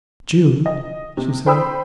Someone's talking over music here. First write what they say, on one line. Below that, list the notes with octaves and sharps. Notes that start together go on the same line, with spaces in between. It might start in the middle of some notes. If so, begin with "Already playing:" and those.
"Jude," she said.
D#5
C3
C5 G5 B5 D#6 E6